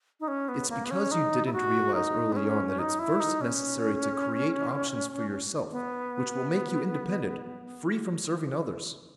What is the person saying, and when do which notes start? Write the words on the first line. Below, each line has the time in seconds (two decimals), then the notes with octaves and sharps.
It's because you didn't realize early on that it's first necessary to create options for yourself which will make you independent, free from serving others.
0.20 D#4
0.28 C#4
0.49 B3
0.70 A#3
0.85 B3
0.91 C#4
1.11 D#4
1.46 E4
1.53 F#4
1.95 D#4
2.32 B3
2.36 C#4
2.79 D#4
2.99 E4
3.20 D#4
3.41 C#4
5.72 B3